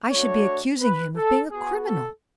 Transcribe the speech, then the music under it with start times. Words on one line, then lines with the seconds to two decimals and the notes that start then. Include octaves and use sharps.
I should be accusing him of being a criminal.
0.11 A3 D4 F#4 C#5
0.81 B4
1.16 A4
1.51 B3 F#4 G#4
1.87 A4